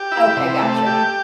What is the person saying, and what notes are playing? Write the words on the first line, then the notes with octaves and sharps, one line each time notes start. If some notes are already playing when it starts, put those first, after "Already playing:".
Okay, gotcha.
Already playing: G4
E4
C3
A3
G4